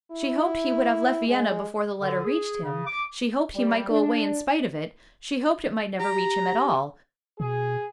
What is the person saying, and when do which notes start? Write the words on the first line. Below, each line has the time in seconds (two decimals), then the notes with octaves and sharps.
She hoped he would have left Vienna before the letter reached him; she hoped he might go away in spite of it; she hoped it might never reach him at all.
0.11 E4
1.27 G#3
2.01 D3
2.25 G#4
2.62 C#3
2.87 D6
3.55 G3
3.90 D4
6.00 G4 A#5
7.40 B2 G#4